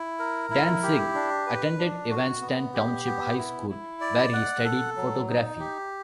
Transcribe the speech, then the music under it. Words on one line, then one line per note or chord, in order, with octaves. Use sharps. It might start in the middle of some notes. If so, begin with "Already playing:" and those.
Dantzig attended Evanston Township High School where he studied photography.
Already playing: E4
A#4
E4
G4
D4
B4
D4
F#4
B3
G4
B3
E4
E4
D5
F#5
A4
F#3
D#4
G4